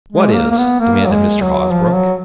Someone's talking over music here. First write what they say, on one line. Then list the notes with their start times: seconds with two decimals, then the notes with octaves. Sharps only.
"What is?" demanded Mr. Hosbrook.
0.12 G#3
0.35 A#3
0.51 A#3
0.58 B3
0.81 A#3
1.06 F#3
1.11 G#3
1.41 F#3
1.71 F3
1.95 F#3